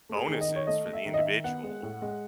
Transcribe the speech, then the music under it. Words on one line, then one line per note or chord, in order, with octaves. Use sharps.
bonuses for the individual
A3
G#4
D#3
D#5
D#3
C#5
A3 D#5
A3
E5
D#3
D#5
E5
D#3
B3 F#5
G#3
A2
G#3